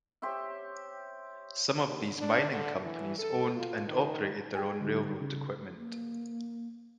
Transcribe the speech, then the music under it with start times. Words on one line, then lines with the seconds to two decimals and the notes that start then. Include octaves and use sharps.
Some of these mining companies owned and operated their own railroad equipment.
0.22 G4 C5 C#5 E5
1.86 D#2
2.18 D4
2.51 D3
2.83 E3
3.18 A4
3.56 F4
3.88 D#3
4.55 G#4 G5 G#5
4.81 D3 G3 D#4
5.21 C#3
5.77 A#3